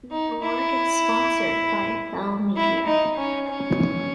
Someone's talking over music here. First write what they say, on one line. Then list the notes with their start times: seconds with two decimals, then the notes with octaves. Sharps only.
The award is sponsored by Bell Media.
0.11 D#4
0.42 E4
2.56 E4
2.87 D#4
3.17 C#4
3.48 C#4